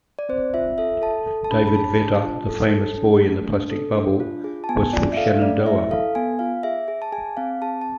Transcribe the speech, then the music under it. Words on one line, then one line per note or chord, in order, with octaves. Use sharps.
David Vetter, the famous "boy in the plastic bubble", was from Shenandoah.
D5
C4 C5
F4 E5
A4 E5
A4 A5
A4
A5
D4 B5
B5
G#4 A5
D4
F4
A4
A4
D4
A3
D4
A4
D4
F4
G#4
A5
B3 G#5
F4 D5
E5
A4 F5
A3 D5
E4 E5
A4 F5
B3 G#5
F4 F5
G#4 E5
G#4
A5
G#4 G#5
C4 F5
G#4 A5
A5